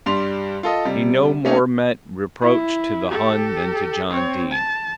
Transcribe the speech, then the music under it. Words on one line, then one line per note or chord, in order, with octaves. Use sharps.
He no more meant reproach to the Hun than to John Dene.
G2 G3 C6 F7
F4 A4 D#5
C3 G3
A3 A#3 C#4 D#4
E4
G4 A4
C4 C#5
A5